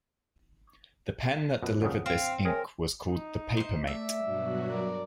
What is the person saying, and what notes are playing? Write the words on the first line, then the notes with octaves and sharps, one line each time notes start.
The pen that delivered this ink was called "The Paper Mate".
F#2 B2 F4 F#6
F2 A#2 C#3 F#5 D#6
C4 F5 C6 F6
G#4 A#4 C#5 E5 G#5
D#4
C5 D#5
A3 D5 E5
G2 B2 F#3 F#4
A#4 D5